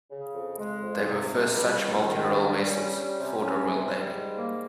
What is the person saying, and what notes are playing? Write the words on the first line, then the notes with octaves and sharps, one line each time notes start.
They were first such 'multi role' vessels for the Royal Navy.
C#3
F2
G#3
F2
C3
C#2
G3
C#2
D#3
G2
G3
C#4
G3
C3
C#4
C3
G3
G#2
A#3